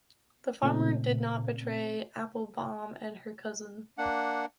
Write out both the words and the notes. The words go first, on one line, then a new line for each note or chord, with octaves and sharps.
The farmer did not betray Applebaum and her cousin.
A#2 C#3 A3 C4
A#3 D4 F#5